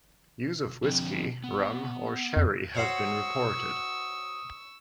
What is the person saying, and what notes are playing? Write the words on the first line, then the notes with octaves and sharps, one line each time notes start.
Use of whisky, rum, or sherry have been reported.
D3 F3 C4
B3
F2
F#4 C5 C#5 C#6 D#6 E6